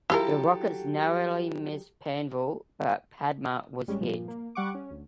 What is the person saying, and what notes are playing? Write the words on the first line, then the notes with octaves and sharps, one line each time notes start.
The rockets narrowly missed "Panvel" but "Padma" was hit.
F#3 E4 F4 G4 A4 A#4
A1 G3 G#3 C#4
G2 A#2 F3
A#3
G3 F#5 C#6 D6
C#4
D2